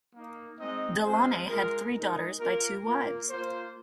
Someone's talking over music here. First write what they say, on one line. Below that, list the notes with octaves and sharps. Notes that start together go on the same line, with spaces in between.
De Launay had three daughters by two wives.
A#3 D#4
G#3 C4 D#4 D#5
G#3 C4 F4 C5
G#3 F4 A#4
G#3 D#4 A#4
A#3 F4 A#4
A#3 F4 A#4
A#3 F4 C5